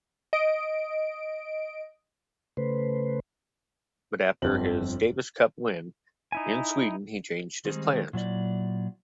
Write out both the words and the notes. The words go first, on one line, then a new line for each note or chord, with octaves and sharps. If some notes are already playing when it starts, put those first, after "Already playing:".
But after his Davis Cup win in Sweden, he changed his plans.
D#5 D7
C#3 A3 B4 C5
G1 F2 C4 F#7
D#4 E4 G#5
D#3 G3 G#3 C4 D#4
A#2 F#3 E4 D5